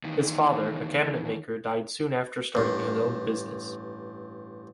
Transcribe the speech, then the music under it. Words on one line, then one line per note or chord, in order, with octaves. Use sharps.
His father, a cabinet maker, died soon after starting his own business.
E2 D#3
A1 G2